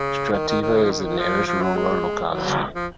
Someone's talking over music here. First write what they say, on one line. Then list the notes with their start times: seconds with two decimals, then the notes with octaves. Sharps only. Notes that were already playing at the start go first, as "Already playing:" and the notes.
Strativa is the nearest rural locality.
Already playing: C#3
0.33 D#3
0.48 D#3
0.62 D#3
0.76 C#3
0.84 F3
0.91 D#3
0.99 C#3
1.04 D#3
1.19 F3
1.47 F3
1.62 F#3
1.76 G#3
2.32 F#3
2.75 F3